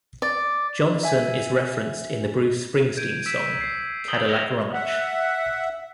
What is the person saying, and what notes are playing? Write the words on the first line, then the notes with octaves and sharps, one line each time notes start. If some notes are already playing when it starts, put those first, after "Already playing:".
Johnson is referenced in the Bruce Springsteen song "Cadillac Ranch".
D5
E5 G#5
G6 G#6 D7 D#7
E6 B6 D7 E7
G#6 C7
D#6 G6 F#7 G7
F6 A#6 C#7 F7 G7
E5 F#5